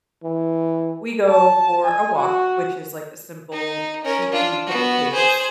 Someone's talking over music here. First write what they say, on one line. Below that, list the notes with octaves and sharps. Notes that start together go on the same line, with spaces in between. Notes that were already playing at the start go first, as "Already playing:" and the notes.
we go for a walk, which is, like, a simple she can pick the pace,
E3
A5
G#5
F#4
D#4
C#4 A#4
D4 F4
B3 F#4
G#4 C5